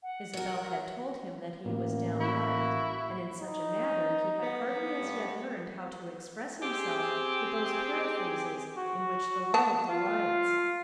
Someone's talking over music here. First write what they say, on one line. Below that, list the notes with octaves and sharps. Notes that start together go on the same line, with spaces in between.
Isabel had told him that he was downright, and in such a matter he had hardly as yet learned how to express himself with those paraphrases in which the world delights.
F#5
F#3 A#4
A1 A#3
E4 F#4
D#4
B3
G2
C4 G4 G#4
F#4
B3 A5
F4